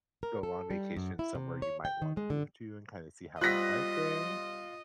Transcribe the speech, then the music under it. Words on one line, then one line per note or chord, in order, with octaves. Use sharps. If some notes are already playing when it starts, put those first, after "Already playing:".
Go on vacation somewhere you might wanna move to and kinda see how it's like there?
A#4
A4
G3
F#2
E4
C3
C#5
G5
D#3
G#3
D3
G3 B3 C4 F4 D#5 F#6 A#6 B6